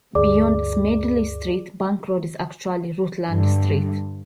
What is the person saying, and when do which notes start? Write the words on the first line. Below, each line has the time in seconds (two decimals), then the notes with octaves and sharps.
Beyond Smedley Street, Bank Road is actually Rutland Street.
0.15 D2 G2 G#4 D5 D6
3.29 G2 D3